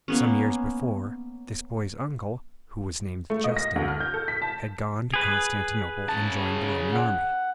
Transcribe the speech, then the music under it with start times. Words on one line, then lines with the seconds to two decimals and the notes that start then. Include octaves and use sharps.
Some years before, this boy's uncle, who was named Justin, had gone to Constantinople and joined the Roman army.
0.08 A#3 B3 C#4
3.30 A3
3.44 D#5
3.57 A#6
3.76 D2
3.88 F6
4.00 G6
4.14 A4
4.28 B6
4.42 A5
5.14 G#4 B4
6.09 C#3 A5
6.93 F#5